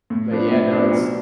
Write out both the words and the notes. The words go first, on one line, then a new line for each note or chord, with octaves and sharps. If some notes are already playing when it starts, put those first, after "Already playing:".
But yeah, no, it's
A2
F3 B3 D4
A2
F3 B3 D4
B1